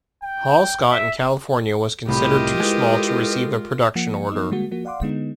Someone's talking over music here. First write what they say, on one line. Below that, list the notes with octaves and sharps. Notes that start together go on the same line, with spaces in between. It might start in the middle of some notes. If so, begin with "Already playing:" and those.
Hall-Scott in California was considered too small to receive a production order.
G5
E5
C2 A2 F4 G4 A#4 D#5 B5
G#3 E4 A4 B4
F3 A#3 F#5 C#7
F3 B3 D#4
D3 G3 G#3 A#3 F#4
F3 A#3 F#4
D5 F5 F#5 C6 D6
D3 G#3 B3 D#4